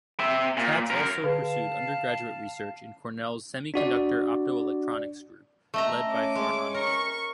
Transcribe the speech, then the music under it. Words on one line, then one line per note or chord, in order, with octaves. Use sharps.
Kats also pursued undergraduate research in Cornell’s Semiconductor Optoelectronics Group led by Farhan Rana.
C4 E5
A#2
F#2 A#4
D3 G#4 B4 F5 A5
D4 F#4 D5
A3 D#5 A#5
C#4 D6
G#3
A#4 C#6